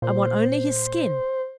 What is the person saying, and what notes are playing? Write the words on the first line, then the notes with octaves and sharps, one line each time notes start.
I want only his skin.
A#2 C5